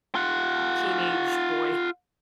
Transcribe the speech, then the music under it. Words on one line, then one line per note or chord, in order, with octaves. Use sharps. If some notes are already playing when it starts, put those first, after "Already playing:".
teenage boys,
F4 F#5